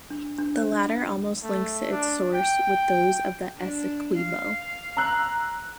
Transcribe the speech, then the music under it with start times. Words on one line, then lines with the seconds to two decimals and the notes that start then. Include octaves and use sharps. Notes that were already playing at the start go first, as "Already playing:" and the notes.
The latter almost links its sources with those of the Essequibo.
0.10 D4
0.38 D4
0.56 C5
0.72 D4
1.01 G5
1.44 A3
1.92 D4
2.34 G5
3.57 D4
4.16 F5
4.97 A#5 E6 F#6